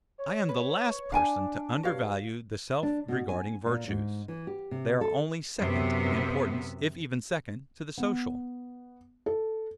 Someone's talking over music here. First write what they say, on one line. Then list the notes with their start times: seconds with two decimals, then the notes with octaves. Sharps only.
I am the last person to undervalue the self-regarding virtues; they are only second in importance, if even second, to the social.
0.19 C#5
0.49 B4
1.12 D4 F5 G5 G#5
1.83 G2 F#4 C#5 F5
2.83 D4
3.08 B2
3.29 G#5
3.66 A#2
3.88 G#2
4.28 E3
4.47 G4
4.71 C3
5.01 A4
5.58 F#2 C3 B3 E5
7.98 B3
9.26 A4